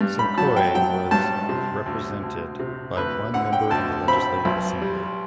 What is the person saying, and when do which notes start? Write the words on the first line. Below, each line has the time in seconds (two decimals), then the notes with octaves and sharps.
Simcoe was represented by one member in the Legislative Assembly.
0.01 G2
0.19 B5
0.38 F#3 A5
0.56 G5
0.75 F#3 G5
1.11 G2 A5
1.49 C3
1.86 D2
2.23 D2
2.59 C3
2.96 D2 B4
3.34 D3 F#5
3.53 G5
3.71 D2 A5
4.08 C4 B5
4.45 B1
4.82 G3